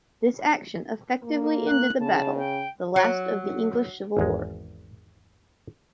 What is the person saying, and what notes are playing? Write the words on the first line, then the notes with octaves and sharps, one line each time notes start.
This action effectively ended the battle, the last of the English Civil War.
A#3
F#6
C#3 A5
G5
F#3
G#1 E2 G#3